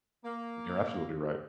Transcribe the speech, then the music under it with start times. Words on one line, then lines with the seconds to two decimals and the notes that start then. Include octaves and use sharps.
You're absolutely right.
0.25 A#3